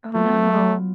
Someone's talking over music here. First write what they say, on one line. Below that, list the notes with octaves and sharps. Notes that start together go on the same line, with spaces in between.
Oh no.
F#3 A3 B3 F4